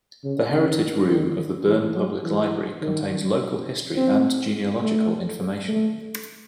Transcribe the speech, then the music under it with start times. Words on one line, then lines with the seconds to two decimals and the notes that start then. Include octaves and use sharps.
The Heritage Room of the Berne Public Library contains local history and genealogical information.
0.24 C#3
0.52 C#3
1.09 D#3
1.67 E3
1.96 F#3
2.25 E3
2.82 D#3
3.96 C4
4.82 A3
5.68 A3